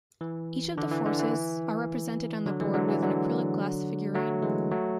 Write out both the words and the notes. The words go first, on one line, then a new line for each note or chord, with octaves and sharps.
Each of the forces are represented on the board with an acrylic glass figurine.
E3
D3
E3
D3
E3
D3 F#3
E3 G#3
D3 F#3
E3
D3 F#3
F#3 A3
E3 G#3
F#3 A3